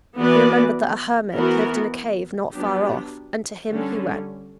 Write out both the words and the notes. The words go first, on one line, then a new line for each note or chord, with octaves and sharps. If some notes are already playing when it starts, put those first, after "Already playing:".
He remembered that a hermit lived in a cave not far off, and to him he went.
E3 B3 F#4 B4 D5
E3 B3 F#4 A#4
F#3 B3 D4 G4
D3 G3 C#4